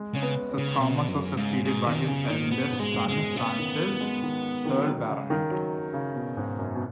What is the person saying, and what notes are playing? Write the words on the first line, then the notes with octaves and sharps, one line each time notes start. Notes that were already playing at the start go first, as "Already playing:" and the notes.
Sir Thomas was succeeded by his eldest son Francis, third Baronet.
Already playing: G#3
C#3 C#4
B3
C#4
C#3
B2 B3
F#2
G#2 C#3
G#2 B2
F#2 D#3
F#2 C#3
G#2 D#3
B2 B3
G#2
G#3
F#2
G#3
G#2
B2
C#3 B3
D#3
F#3
G#3
D#3
D#3
F#3
D#3
C#3
D#3
F#3
C#3
B2
G#2
F#2
B2